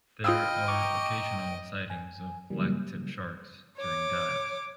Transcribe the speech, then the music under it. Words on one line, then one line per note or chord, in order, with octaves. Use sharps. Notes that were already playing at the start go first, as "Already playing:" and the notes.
There are occasional sightings of black tip sharks during dives.
F4 D#5 F5 G5 B5 D#6 E6
A#5 C#6 D6
G#5
C#3 E3 F#3 G3 A#3
C#5 D6